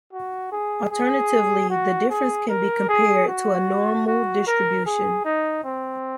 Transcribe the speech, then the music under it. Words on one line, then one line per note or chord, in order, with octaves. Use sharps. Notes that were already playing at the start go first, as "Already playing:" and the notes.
Alternatively, the difference can be compared to a normal distribution.
F#4
G#4
G#4
F#4
G#4
A#4
G#4
F#4
F#4
A#4
G#4
D#4
C4